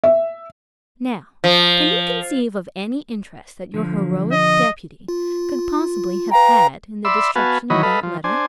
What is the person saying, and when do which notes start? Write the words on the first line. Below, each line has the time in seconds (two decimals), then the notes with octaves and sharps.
"Now can you conceive of any interest that your heroic deputy could possibly have had in the destruction of that letter?"
0.04 E5
1.44 F3
3.74 D3 F3
4.32 D#5
5.08 F4
6.31 B4 F5 G5 A#5
7.05 D5 E5 B5 C6 E6
7.35 B3 F#4 B4 F5 G#5 A5
7.70 D#3 E3 F#3 C#5 D#5 B5
7.83 A4 B4 D#5 F5 B5
8.03 F3
8.24 D4 C5 G#5